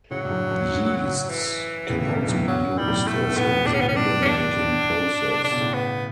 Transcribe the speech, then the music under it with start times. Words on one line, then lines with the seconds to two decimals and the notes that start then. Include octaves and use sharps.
Yeasts can also be used, as in the beer-making process.
0.10 A2 C#3 F#3
0.25 G2
0.30 F#2 A2
0.51 F#2
0.71 G2
1.29 E3
1.89 A2 C#3
2.08 G2 B2
2.28 F#2 A2
2.47 G2 F#3
2.78 B2 G3
2.88 F#2 A2
3.07 A2 A3
3.14 B2
3.22 A2
3.29 B2
3.36 A2 B3
3.43 B2
3.50 A2
3.58 B2
3.65 A2 D4
3.71 B2
3.74 C#4
3.78 A2
3.81 B3
3.86 B2
3.89 C#4
3.93 A2
3.96 B2 D4
4.06 F#2 A2
4.22 C#4
4.25 G2 B2 D4
5.44 C#3 D4
5.52 B2
5.61 A2 C#3
5.74 B3